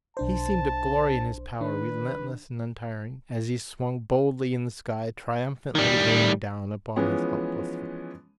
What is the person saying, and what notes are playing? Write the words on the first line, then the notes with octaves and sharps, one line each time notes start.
He seemed to glory in his power, relentless and untiring, as he swung boldly in the sky, triumphantly leering down upon his helpless victims.
B1 D4 C5 A5
D#3 D4 B4
D#3 G3
E3 F3 G#3 B3 C#4